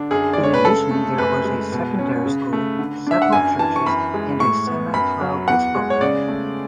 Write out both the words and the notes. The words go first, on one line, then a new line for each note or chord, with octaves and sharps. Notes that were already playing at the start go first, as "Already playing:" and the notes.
In addition, there was a secondary school, several churches, and a semi-pro baseball team.
Already playing: D3 D4
F#2 G#4
G#3 D5
C#5
B4
C#3 A4
A3
F#2 B4
G#3
B2
C#4
C#3
A3
D3
D4 E5
F#5
F#2 G#5
E3 A5
C#6
F#2 B5
G#3
A2 C#6
B3
F#2 B5
F#3
E2 F#5
G#3
C#5
C#3 D5
A3